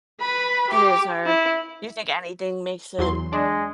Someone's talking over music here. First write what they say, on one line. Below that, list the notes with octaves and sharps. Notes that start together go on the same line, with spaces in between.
It is hard. Do you think anything makes it
B4 B5
G4 D6
E4
E2 F#3 C6
G#3 D4